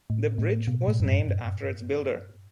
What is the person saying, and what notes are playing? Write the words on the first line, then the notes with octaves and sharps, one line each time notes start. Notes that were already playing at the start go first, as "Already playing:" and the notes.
The bridge was named after its builder.
A2
A2
B2
A2
F#2
G2